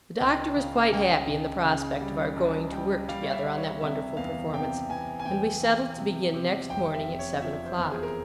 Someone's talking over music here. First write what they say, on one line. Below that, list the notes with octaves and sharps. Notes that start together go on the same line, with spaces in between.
The Doctor was quite happy in the prospect of our going to work together on that wonderful performance, and we settled to begin next morning at seven o'clock.
C#2 G5
C#3 F5
C#2 G5
C#2
C#3
G3
C#2
G3 G5
G3 F5
C#5
E5
G3
C#5
C3 E5
E2 F5
C3 G5
E2 G#5
G#5
E2 G5
E2
C3
C3
F1 G5
E5
F1
C#5
F3 E5
C5
E2
G#4
A#4